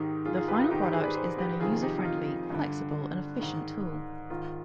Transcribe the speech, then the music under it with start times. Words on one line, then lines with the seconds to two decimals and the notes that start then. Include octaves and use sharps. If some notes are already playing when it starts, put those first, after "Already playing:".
The final product is then a user-friendly, flexible and efficient tool.
Already playing: G#2 D#3 D#4 G4
0.25 F4 G#4
0.37 F4 G#4
0.48 G4 B4
0.54 F4
0.59 D#4
0.70 G#2 D#3 D#4 G4
0.81 G4 B4
0.93 G#4 C5
1.03 B4 D5
1.15 G#4 C5
1.38 G4 B4
1.60 F2 C3 D#3 F4 G#4
1.82 D#4 G4
1.98 D#4
2.05 F4
2.50 G2 D3
3.40 G#2 D#3
4.30 G#2 D#3 F4